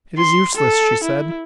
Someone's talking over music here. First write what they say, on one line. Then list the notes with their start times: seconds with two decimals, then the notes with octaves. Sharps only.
"It is useless," she said.
0.18 C6
0.56 A4
1.04 E4